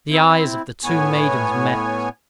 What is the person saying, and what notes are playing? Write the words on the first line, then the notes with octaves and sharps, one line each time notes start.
The eyes of the two maidens met.
C4 E4
A2 B3 C#5 G#5